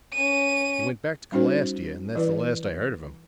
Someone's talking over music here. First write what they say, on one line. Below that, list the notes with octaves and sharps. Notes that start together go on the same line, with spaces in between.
"He went back to Calastia, and that's the last I heard of him."
C#4 D#7
G3 C#4 D#4 F#4 C5
E3 E4 B4 D5